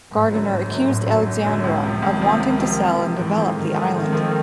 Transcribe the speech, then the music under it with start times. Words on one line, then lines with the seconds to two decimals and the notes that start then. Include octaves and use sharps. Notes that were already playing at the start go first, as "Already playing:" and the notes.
Gardiner accused Alexandra of wanting to sell and develop the island.
0.11 F#1 G#2
0.30 F#2 D3 F#3
0.50 F#1 G#2
0.68 F#2 D3 F#3
0.87 F#1 A2
1.07 F#2 D3 F#3
1.26 F#1 A2
1.45 F#2 D3 F#3
1.64 C#2
1.84 C3 F3
2.02 C#2 D#3
2.21 C3 F3
2.40 C#2
2.59 C3 F3
2.79 C#2
2.98 C3 F3
3.17 G#2 E3
3.36 F3 A3 C4
3.55 G#2 D#3
3.74 F3 A3 C4
3.93 G#2 D#3
4.12 F3 A3 C4